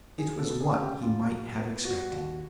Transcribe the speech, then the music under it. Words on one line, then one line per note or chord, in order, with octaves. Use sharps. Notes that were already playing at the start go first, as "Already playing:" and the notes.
It was what he might have expected.
F#3 G#4
A4
B3
G#4
C#3
G4
E2 F4
F#3
B3
G3 F#4
D#2